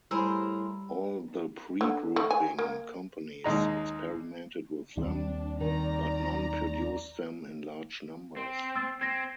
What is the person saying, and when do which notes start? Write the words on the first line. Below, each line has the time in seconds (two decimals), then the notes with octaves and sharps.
All the pre-grouping companies experimented with them, but none produced them in large numbers.
0.11 A2 G3 G#4 A#4 C5 B5 E6
1.81 D3
2.16 A3
2.31 G#5
2.59 A#3
3.44 D#2 G#3 A#5
4.97 D#2 G3 C4 D4
5.60 D#3 D5 A#5
8.37 C4
8.76 E6 A6
9.01 C4 G#6 A#6